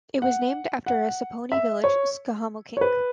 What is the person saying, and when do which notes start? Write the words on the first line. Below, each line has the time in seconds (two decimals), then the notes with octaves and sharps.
It was named after a Saponi village, Schahamokink.
0.22 F#5
0.86 F#5
1.52 E5
1.84 C#5
2.77 C#5
2.81 B4